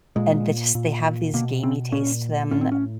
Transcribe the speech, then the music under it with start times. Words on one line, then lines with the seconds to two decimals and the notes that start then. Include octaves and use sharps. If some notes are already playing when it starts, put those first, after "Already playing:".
and they just they have these gamey taste to them
0.16 A#2 G#3
0.75 A#2
1.34 B2 A#3
1.63 C4
1.92 A#2 C#4
2.51 A2 C#4
2.61 C4
2.72 C#4